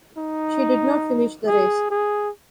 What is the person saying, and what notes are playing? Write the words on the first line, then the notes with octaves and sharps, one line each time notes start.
She did not finish the race.
D#4
G#4
G#4